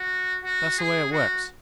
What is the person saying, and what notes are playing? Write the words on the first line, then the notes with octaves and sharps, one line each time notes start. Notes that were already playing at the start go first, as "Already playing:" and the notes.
That's the way it works.
Already playing: F#4
F#4
G#4
F#4